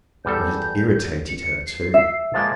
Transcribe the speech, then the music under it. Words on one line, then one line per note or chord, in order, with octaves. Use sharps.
But it irritated her too.
E2 G3 A4 G6
C#7
C7
E5
F3 G#3 A#3 A6